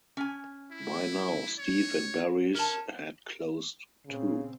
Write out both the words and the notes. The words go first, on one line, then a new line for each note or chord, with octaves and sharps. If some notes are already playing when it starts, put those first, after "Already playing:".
By now, Steve and Barry's had closed too.
C#4 G#5
E4
C#5
C#4 A#4 A5
A#2 C#3 C4